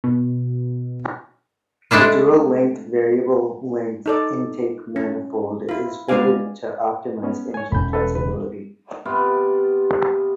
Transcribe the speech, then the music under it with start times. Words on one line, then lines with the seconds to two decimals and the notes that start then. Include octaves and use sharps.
A dual-length Variable Length Intake Manifold is fitted to optimise engine flexibility.
0.04 B2
1.91 G#3 A3 D4 E4 F4
4.06 D#4 A4 D5
4.96 C#4
5.69 E4 F4
6.09 G#3 B3 D4 D5 F5 G#5
7.23 B3 C#4
7.54 C#5 G#5
7.72 E1 C#4 B5 G6
7.93 A4 B4
8.15 C#2 B4
9.05 C3 B3 F4 D5